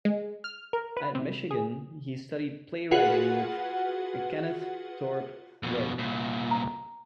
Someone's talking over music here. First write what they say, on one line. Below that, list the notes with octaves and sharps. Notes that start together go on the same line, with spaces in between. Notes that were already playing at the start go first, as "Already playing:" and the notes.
At Michigan, he studied play-writing with Kenneth Thorpe Rowe.
G#3
F6
A#4
B4
C3
G#4
F4 F#4 G#4 B4 F#5
F2 B2
C2 A#2
A#5